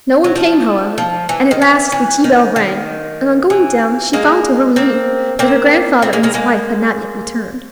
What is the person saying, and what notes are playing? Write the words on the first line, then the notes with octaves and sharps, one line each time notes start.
No one came, however, and at last the tea-bell rang, and on going down she found to her relief that her grandfather and his wife had not yet returned.
F#3
F3
F3
E3
D#3
E3
E3
D#3
D#3
E3
G#3 A#3
A#3 C4
A#3 C4
A#3 C4
G#3 A#3
G#3 A#3
G#3 A#3